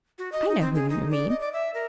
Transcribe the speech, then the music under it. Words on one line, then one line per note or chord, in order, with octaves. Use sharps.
I know whom you mean.
F#4
D#5
D#4
C4
G#4
D#4
D5
D#5
D5
E5
A#4